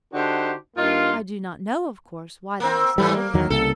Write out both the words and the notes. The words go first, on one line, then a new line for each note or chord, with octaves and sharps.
I do not know, of course, why the house is open.
D3 D4 D#4 F#4 G4 C5
G2 A#3 D#4 F4
A#3 C4
G#2 E3 G3 A3
A#3
E2 D#3 F#3
C2 C#3 A#3 A4